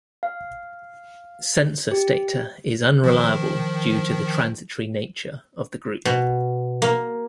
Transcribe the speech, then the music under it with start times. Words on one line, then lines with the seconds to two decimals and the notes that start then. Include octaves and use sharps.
Census data is unreliable due to the transitory nature of the group.
0.23 F5
1.91 G4
3.04 D#3 F3
6.05 B2
6.82 A#3